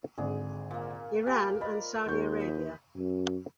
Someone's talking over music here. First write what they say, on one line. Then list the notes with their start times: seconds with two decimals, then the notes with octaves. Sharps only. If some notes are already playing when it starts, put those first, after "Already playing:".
Iran and Saudi Arabia.
0.18 G#1 D3 D4 G#4
0.71 A#2 A#3
1.27 G4 A#4 C5 G#5
1.61 D5 D#5 A#5 B5
2.08 D#2 C#6 G6
2.40 D#5 B5
2.96 F#2